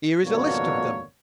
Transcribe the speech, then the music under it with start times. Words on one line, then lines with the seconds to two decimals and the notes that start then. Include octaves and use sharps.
"Here is a list of them."
0.24 G#1 F2 B2 D3 A#3 C#5